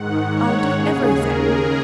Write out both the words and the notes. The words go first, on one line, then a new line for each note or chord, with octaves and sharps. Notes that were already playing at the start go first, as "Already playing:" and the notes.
I'll do everything.
Already playing: G#2 D#3 F#5
C#5
D#2 C#3 G#4
A#4